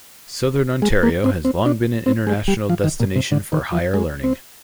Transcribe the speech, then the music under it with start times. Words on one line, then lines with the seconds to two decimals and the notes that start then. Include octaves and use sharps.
Southern Ontario has long been an international destination for higher learning.
0.82 G#3
1.03 A#3
1.24 C4
1.45 C4
1.66 D4
2.06 C4
2.27 G#3
2.48 G3
2.69 F3
2.84 D#3
3.00 A#2
3.16 C3
3.32 D3
3.52 D#3
3.72 F3
3.94 G#3
4.24 C4